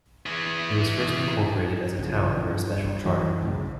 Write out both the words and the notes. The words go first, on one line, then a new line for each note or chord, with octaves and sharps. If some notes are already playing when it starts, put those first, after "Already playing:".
It was first incorporated as a town under a special charter.
E3 G#4
E1 A#1 C#3 F3
G2
F#2 E3 F#3
C#2 F#2 A2 C#3
A#1